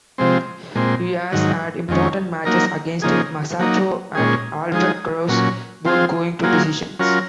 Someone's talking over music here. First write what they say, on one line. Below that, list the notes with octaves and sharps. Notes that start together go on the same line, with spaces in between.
He has had important matches against Masato and Albert Kraus, both going to decisions.
C3 F3 G#3 C4
A#2 G#3 C4
G#2 D#3 F#3
F2 D#3 G#3 C#4
F#3 A#3 D#4 A#4
C#3 F3 A#3 D#4 G#4
F#3 A#3 D#4
A#2 G#3 C#4 G#4
F3 G#3 D#4 G#4
A#2 F#3 C#4
F3 C4 F4 G#4
F#3 A#3 F4 G#4
F#3 C#4 F4 A#4